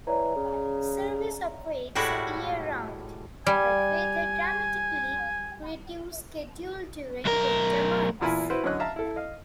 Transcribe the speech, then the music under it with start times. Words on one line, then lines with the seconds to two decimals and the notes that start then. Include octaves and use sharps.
Service operates year-round, but with a dramatically reduced schedule during winter months.
0.07 E3 C#5 D5 A#5
0.36 C#3
1.95 A2 G3 G#3 E4 F#4
3.46 G3 G#5
7.26 B1 A#4
8.21 E2 A#2 E4 G#5 B5
8.50 E4 F#4 B4 C5
8.64 F#2 D3 C#4 C#5 D#5 F#6
8.80 E5 F5 A5 A#5
8.96 E4 A4
9.16 D#5 F5